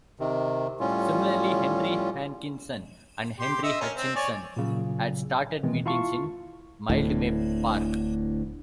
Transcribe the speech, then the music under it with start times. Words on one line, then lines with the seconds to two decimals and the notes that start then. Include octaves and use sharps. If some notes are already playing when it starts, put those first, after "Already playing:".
Similarly Henry Hankinson and Henry Hutchinson had started meetings in Mildmay Park.
0.19 C3 D#3
0.80 A2 G3 C#4 F4
3.40 G4 C6
3.63 D#5 E5
3.81 C#4 A#4
3.97 C4
4.16 C#5 D5 G#5
4.56 A#2 C#3 F#3
5.63 B2 D#3 E3 G#3 C4
5.86 E4 F4 F5 A5 C#6
6.90 D1 D2 A2